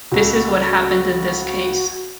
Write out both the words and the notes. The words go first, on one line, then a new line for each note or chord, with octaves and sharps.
This is what happened in this case.
C#2 F#4 A4